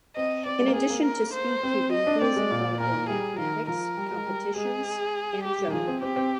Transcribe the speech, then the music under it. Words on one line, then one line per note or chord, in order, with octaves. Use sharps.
In addition to speedcubing, he is involved in mathematics competitions and juggling.
C4 D#5
C4 D5
G#3
A#3
C4 G#4
A#3
A#4
C5
C4
D#5
D4
C4 D5
G#3
A#2
A#2 A#4
A#2
G3 G#4
D#3 A#4
F3 A#4
G3
G#3
G3
G#3 G#4
G4
G3
D#3
F3 G#4
C4
C4 G4
C4